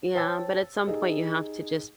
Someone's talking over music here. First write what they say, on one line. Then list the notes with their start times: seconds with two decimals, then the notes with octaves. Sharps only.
Yeah, but at some point, you have to just
0.15 C5 C#5 G5 A5 E6 A6
0.87 D#4 G4 G#4 D#5